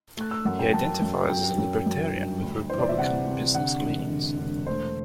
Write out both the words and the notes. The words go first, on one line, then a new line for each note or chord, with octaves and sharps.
He identifies as a Libertarian with Republican business leanings.
A3 F#6
E6
F#2 F#5
G5
F#2 A5
F#2
F#3 G5
F#2
F#2
G1
D2
E3 C5
D5
E5
C3 F#5
C3
D3 F#5
E1
D3
E1
A3 C5